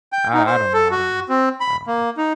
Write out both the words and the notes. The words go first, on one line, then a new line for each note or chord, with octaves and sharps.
I I don't know, I don't know, I don't know.
G5
D#4
C5
A4
F#4
C4
B5
A#3
D#4